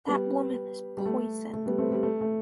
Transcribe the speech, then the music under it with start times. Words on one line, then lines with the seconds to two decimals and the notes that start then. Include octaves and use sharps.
That Woman Is Poison!
0.08 G3 B3
0.97 G3
1.06 A3
1.53 A3
1.66 G3 B3
1.78 A3 C4
1.91 G3
2.03 A3
2.21 A3